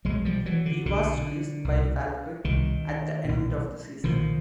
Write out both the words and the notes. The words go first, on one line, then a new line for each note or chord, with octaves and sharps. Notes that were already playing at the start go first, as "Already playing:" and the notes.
He was released by Falkirk at the end of the season.
B1 B2 F#3 G#3
F3 G3
E3 F#3
D3
B1 B2 D3
C2 B2
C2 B2 D#3
B1 A#2
B1 A#2 D#3 F3